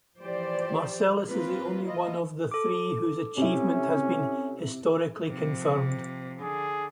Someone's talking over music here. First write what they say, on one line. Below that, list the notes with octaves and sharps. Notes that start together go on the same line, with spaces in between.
Marcellus is the only one of the three whose achievement has been historically confirmed.
E3 F3 G4 C5 D5
A#3 C4 F4 B4
E4 F4 D#5
A4 D6
C3 C#4 E4
C3 F3
D3 G#4